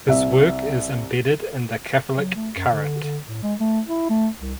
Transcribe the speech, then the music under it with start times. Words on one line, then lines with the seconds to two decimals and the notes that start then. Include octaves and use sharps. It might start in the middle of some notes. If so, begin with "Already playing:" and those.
His work is embedded in the Catholic current.
0.08 C2 E5
2.16 F#3
2.36 A3
2.56 F#2
2.71 D3
3.02 D3
3.27 A2
3.43 G#3
3.60 A3
3.87 E4
4.09 A3
4.39 C2